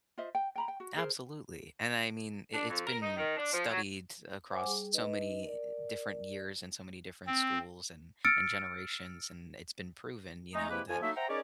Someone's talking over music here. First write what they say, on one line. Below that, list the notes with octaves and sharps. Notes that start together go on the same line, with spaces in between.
Absolutely. And, I mean, i it's been studied across so many different years and so many different schools and and generations, and it's been proven, you know, that
F4 C5 D#5 E5
G5
G5 A#5 B5
G5
F#4
G#4 A#4 C5
D4
F2
A#4
D#4
D#3
D4
F3
F#3
C5 F#5 G#5 D6
G3 G#4
D#4 B4 D#5
A#4 D5
C4
E6 F6 A6 C#7 D7
G#3 A3 D#4
C3 G#3 A#3 E4 G4 B4
F2 F3 G#5
F#3 A3 A#3 D#4 A4 E5
C5 E5 F#5 G5 A#5
C#4 D#4 G#4 A#4 C#5 D5